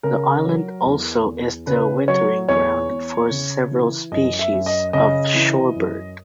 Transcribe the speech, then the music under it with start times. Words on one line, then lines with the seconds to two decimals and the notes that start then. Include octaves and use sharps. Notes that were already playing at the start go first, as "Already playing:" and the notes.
The island also is the wintering ground for several species of shorebird.
0.03 C#3 A#4
0.45 F#3
0.85 E2
1.26 E2
1.67 C#3 B4
2.08 F#3 C#5
2.49 E2 C#5
2.90 E2
3.31 C#3
3.71 E3
4.12 F#2 D#5
4.39 E5
4.53 F#2
4.66 D#5
4.93 C#3 D#5
5.34 E3
5.75 F#2